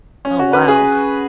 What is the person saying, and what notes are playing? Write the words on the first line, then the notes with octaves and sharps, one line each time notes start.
Oh, wow.
C#4
F#4
B4
G#4